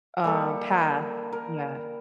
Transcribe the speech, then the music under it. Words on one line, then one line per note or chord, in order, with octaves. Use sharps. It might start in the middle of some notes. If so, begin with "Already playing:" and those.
uh, path. Yeah.
G3 A#3 A4
A#4